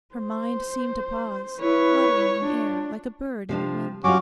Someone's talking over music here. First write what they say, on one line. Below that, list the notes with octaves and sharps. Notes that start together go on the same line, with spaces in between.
Her mind seemed to pause, fluttering in air, like a bird in the wind.
C5
E4 B4 C#5
D4 F4
C3 F3 D4
F#3 G3 C#4 F4 F#4 D6